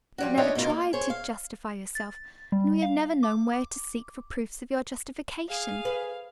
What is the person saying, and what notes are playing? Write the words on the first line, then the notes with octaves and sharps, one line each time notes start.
You have never tried to justify yourself, and we have never known where to seek for proofs of your justification.
F3 G3 F#4
D4 D#4 F4 G#4 C#5 E5
B2 A3 D#4 F4 A#4
A#3
G#4 C5 C#5
F5
A6
G3
F5
D6
G#4 F5
B4